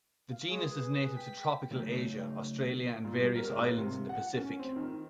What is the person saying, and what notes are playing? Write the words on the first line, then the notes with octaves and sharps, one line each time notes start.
The genus is native to tropical Asia, Australia, and various islands in the Pacific.
F5
G#3 G#4
B4
G5 B6
C#3 F#3 A3 D#4 G#4
A#2
G3
A#4
C#2
A#3
C3
F#5
C#4
C4
D#3